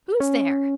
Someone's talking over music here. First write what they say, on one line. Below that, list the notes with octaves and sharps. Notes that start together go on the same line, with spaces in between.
Who's there!
C#4